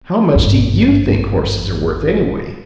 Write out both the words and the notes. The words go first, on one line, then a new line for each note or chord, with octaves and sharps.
"How much do you think horses are worth, anyway?"
G#1 G2